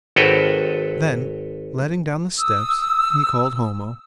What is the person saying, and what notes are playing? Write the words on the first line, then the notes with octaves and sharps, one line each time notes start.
Then letting down the steps, he called Homo.
G#1 F#4 A4 B4 C#5 G5
D#6 E6